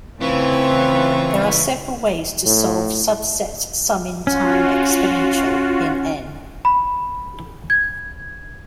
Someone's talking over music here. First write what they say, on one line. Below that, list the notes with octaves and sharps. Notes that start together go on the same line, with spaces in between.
There are several ways to solve subset sum in time exponential in "N".
C#3 E3 A3 C4 F4 B4 C#6
A2
C#4 F4 F#4
B5
G#6